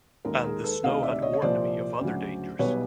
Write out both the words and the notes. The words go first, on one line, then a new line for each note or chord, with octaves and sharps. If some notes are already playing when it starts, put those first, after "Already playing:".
And the snow had warned me of other dangers.
D#2 D#3 G#3 G#4 A#4
G#4 A#4
A4 B4
D2 C3 D#3 D#5 F5
D5 E5
D5
C#5 D#5
C#5
C2 A#2 F3 C5 D5
D2 C#3 F#3
B1 B2 G3 B4 C#5